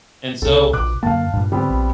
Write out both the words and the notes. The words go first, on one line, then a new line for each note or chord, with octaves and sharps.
And so
C2 C3 A3 A4
A#1 B2 D6 F#6
F#2 D3 A#3 F5 A5
G2 A#2 G3
G#2 D3 G3 B3 C4
A#1